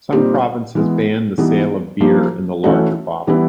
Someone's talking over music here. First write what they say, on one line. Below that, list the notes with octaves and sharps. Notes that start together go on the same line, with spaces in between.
Some provinces banned the sale of beer in the larger bottle.
A#2 G3 C4 D#4 G4
E3 G#3 B3
E3 G3 B3 D#4
F3 A#3 D#4 G4
E3 A3 C#4 F#4
E3 G3 B3 E4